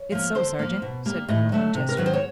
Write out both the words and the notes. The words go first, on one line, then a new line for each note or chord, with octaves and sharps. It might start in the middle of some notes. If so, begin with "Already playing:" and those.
"It's so, sergeant," said Colonel Winchester.
Already playing: C#5
F3 A#3
D3 C5
F3 A#3
B2
G3 A#3
A2 D#5
F#3 A3
C3
A#4
D#3 F#3 B4
C5
C#5